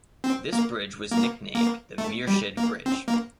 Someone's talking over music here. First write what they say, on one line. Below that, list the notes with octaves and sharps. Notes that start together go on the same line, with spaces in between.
This bridge was nicknamed the "Mierscheid Bridge".
C4
A#3
A#3
A#3
A3
G3
A#3
C4
A#3